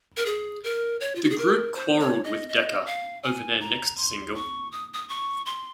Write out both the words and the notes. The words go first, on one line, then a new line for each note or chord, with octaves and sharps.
The group quarrelled with Decca over their next single.
A#4
G#4
A#4
C#5
F4
F#4
G#4
A#4
C5
C#5
D#5
D#5
F5
G#5
A#5
C6
C#6
D#6
D#6
C#6
C6